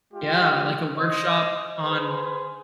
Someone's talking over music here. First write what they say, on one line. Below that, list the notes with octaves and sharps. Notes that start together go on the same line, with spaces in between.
Yeah, like a workshop on
G#3 F4 G4
C5 D#5
G#4 B4 C5